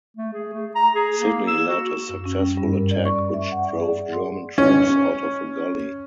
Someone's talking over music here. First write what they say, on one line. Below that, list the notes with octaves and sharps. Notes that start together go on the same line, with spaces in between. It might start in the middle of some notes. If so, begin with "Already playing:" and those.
Sidney led a successful attack which drove German troops out of a gully.
A3
G#4
A3
A#5
G#4
A#3
E6
F#4
F#2
C#4
G3
G2
A#4
D5
C#6
E5
F#5
D5
G#4
C6
C#4